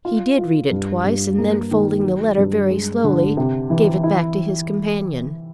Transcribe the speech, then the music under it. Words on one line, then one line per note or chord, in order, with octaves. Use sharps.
He did read it twice, and then folding the letter very slowly gave it back to his companion.
F4
F4
G2
G2
A#3
D#3
F#3
G2
G#3
D3
C3
E3
E4